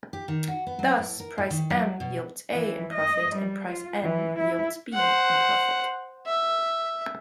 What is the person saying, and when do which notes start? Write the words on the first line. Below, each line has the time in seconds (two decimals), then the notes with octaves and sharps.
Thus price M yields A in profit and price N yields B in profit.
0.13 G4
0.28 D#3
0.48 F#4
0.67 B3
0.79 F#3
0.98 A2
1.20 A#4
1.38 A2
1.50 D#3
1.70 F#3
2.00 B2
2.52 E3
2.94 D#5
3.36 G3
3.69 F4
4.02 E3
4.39 E4
4.93 C5 F#5
6.26 E5